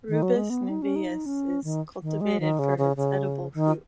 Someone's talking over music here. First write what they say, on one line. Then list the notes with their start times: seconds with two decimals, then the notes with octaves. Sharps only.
"Rubus niveus" is cultivated for its edible fruit.
0.09 D#3
0.23 F#3
0.36 G#3
0.50 B3
0.69 D#4
0.82 C#4
0.96 D#4
1.26 C#4
1.64 D#3
2.02 D#3
2.21 G#3
2.40 D#3
2.59 C#3
2.78 C#3
2.97 C#3
3.54 D#3